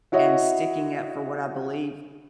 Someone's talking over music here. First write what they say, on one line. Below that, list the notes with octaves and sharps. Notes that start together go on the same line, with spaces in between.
and sticking up for what I believe
E4 F#4 C#5 D#5 E5